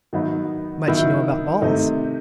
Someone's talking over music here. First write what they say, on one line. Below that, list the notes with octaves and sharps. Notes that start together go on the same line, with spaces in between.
"Much you know about balls."
D#3 F#3 B3 D#4
D#3 F#3 B3 E4
C3 D#3 A3 D#4